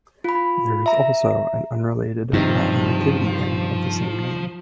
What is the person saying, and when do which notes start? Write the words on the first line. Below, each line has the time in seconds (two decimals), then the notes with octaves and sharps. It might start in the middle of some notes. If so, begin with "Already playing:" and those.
There is also an unrelated Latin Nativity hymn of the same name.
0.24 F4 B5
0.86 E5 A#5
2.33 G2 C3 D#3 F3